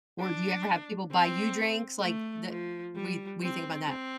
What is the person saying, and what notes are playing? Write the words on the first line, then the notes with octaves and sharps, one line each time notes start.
Or, do you ever have people buy you drinks? Like, the what what do you think about that?
D4
C4
A3
F3
G3
C4
C4